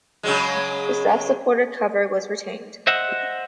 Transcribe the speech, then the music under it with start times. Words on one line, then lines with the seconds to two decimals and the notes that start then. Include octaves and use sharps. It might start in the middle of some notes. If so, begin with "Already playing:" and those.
The self-supported cover was retained.
0.23 C#3 F#3 G#3
2.87 C5 D#5 E5 F#5